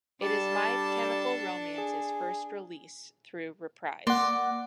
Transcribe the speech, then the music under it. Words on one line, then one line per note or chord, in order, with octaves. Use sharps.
It is My Chemical Romance's first release through Reprise.
G3 D4 A4 A5
G#4
A#3 D5 F#5 C6